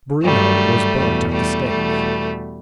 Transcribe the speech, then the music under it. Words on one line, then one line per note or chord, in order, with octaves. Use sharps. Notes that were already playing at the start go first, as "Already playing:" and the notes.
Bruno was burnt at the stake.
G2 D#3 F#3 G3 A3
E2 B2 G3
G3 A3
E2 B2 G3